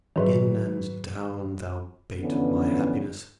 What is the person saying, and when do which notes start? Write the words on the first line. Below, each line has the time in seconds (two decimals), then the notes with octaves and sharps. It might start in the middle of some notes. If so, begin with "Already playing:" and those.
In and down, thou bait of my happiness!
0.16 G#2 D#3 F#3 B4 E5
2.20 D3 E3 F3 B3 C#4